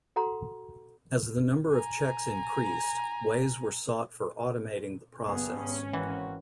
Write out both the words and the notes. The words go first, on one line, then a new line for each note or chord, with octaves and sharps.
As the number of cheques increased, ways were sought for automating the process.
F#4 A4 F#5 A#5 C6
G#5 A#5
F#1 G2 B3 G#4
G#1 C#4
E3 A#3 C4 F#4